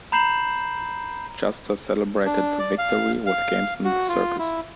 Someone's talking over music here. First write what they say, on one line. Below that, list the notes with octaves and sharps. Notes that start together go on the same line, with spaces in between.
Justa celebrated the victory with games in the circus.
A#5 B5 G6 C7 E7 F#7
D4
D5
F5
F5
F#4
F4
E4